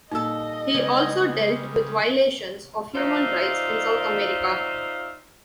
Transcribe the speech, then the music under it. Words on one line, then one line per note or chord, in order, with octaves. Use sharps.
He also dealt with violations of human rights in South America.
A#2 G3 D#4 A4 D#5 E6
C#3 G3 G#3 B3
D#4 F4 C5 D5 E5 F5